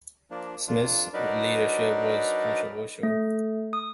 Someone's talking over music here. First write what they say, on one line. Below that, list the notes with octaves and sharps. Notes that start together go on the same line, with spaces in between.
Smith's leadership was controversial.
F3 A#3 D4
F2 D4 F4
F#3 D4 D#4 A#4 B4 D5
A3
D#6